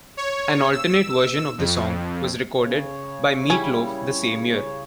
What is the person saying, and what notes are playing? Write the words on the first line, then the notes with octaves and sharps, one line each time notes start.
An alternate version of the song was recorded by Meat Loaf the same year.
C#5
E6
F2
C#3 C#5
G3 C#4 E4